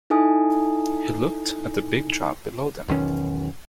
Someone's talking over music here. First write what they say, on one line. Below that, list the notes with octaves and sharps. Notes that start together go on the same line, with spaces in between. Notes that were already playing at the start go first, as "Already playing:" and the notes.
He looked at the big drop below them.
D#4 E4 A4 G#5 D#6
E1 B1 D#3 C#4